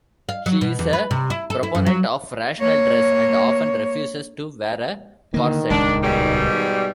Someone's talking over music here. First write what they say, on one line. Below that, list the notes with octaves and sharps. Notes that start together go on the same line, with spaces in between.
She is a proponent of rational dress, and often refuses to wear a corset.
F5
F#3
B2
E2
B4
C3
E4
A4
E4
F#2
F#3
A#3 C#5
D3 D#3 A#3
D#1 C#2 G#3 D4
G#2 B2 G3